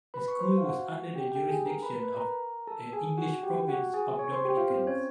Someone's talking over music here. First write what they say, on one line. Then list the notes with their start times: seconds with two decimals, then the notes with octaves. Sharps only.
The school was under the jurisdiction of the English Province of Dominicans.
0.14 B4 B5
0.28 C#6
0.39 C5 C6
0.58 F5
0.64 F#4 F#5
1.15 G4 G5
1.32 G4 G5
1.49 G#4 G#5
1.66 A#4 A#5
1.83 B4 B5
1.99 B4 B5
2.16 A#4 A#5
2.67 A4 A5
2.93 G#4 G#5
3.18 F#4 F#5
3.43 G4 G5
3.68 F#4 F#5
3.93 G#4 G#5
4.19 C#5 C#6
4.31 C5 C6
4.45 G4 G5
4.57 F4 F5
4.70 C4 C5
4.86 C#4 C#5